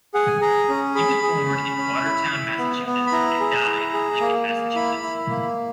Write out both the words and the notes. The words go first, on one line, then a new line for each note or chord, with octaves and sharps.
He was born in Watertown, Massachusetts and died in Lincoln, Massachusetts.
G#4 F#5
G#5
G#4 A#5
C#4
G#4 B5
G#4
C#4
C#4
E4
E4
B3
B3
B5
E4 A#5
G#4
E4
G#4
A#3
A#3
E4 B5
E4
A#3